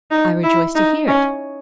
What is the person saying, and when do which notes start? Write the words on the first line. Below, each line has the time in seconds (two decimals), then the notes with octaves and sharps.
'I rejoice to hear it.
0.11 D#4
0.43 E4
0.75 D#4
1.08 C#4